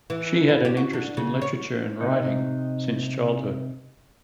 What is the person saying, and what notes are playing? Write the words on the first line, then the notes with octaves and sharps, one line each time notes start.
She had an interest in literature and writing since childhood.
E3
B3
G4
F#4
D4
C#3
C#5
C3 D#4